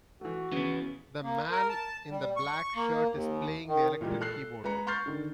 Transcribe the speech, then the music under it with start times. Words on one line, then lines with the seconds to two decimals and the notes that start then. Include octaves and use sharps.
The man in the black shirt is playing the electric keyboard.
0.21 E3 A3 F#4
0.52 C#3 E3 B3
1.23 A#3
1.51 A#4
1.69 A5
2.10 G3
2.37 C#6
2.76 A#3
3.11 D#2
3.67 D#3
4.01 A#2 E3 G3 G#3 A#3
4.21 A4 F#6 C7
4.64 G#3 B4 A#5 C#7
4.87 C6 C#6 F6 G6 A6 C7
5.06 D3 D#3